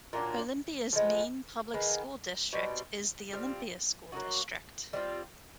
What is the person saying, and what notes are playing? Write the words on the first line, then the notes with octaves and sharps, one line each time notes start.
Olympia's main public school district is the Olympia School District.
A#2 F#3 A#3 D4
F3 G#3 B3
D#3 G#3 B3
B2 G3 C4 D#4
G3 C4 F4
F#3 A#3 D#4 F#4
G3 C4 F4